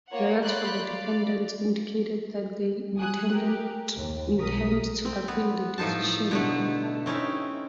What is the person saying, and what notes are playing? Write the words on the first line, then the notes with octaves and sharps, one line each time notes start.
Lawyers for the defendants indicated that they intended to appeal the decision.
A#3 F4 A#4 C#5 F#5
C#5 D5 B5 C6 F#6 G6
D5 F5
G#5 D#6 F#6
G4 A#4
D#2
B1 A#4 D#6 B6
C4
B3
A2 F3 D#4 C5 A5
B2 D3 A3
C4 C#4 D#4 E4